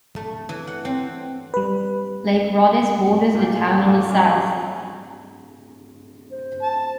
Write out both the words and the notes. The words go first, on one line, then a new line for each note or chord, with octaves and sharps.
Lake Rhodhiss borders the town on the south.
A3
E3
F#5
C4
G3 B4
A#2 F4 G4 D5
G#3
E3
A#2 A3 A#3
A#3 C#4 D4 A#4
E4 F4 G#4
C5
A5